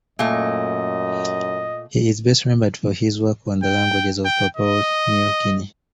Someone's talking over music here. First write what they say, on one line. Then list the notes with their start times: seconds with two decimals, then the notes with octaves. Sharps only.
He is best remembered for his work on the languages of Papua New Guinea.
0.19 F#2 A#2 A3 D#5
3.63 G5
4.25 G5
4.56 D#5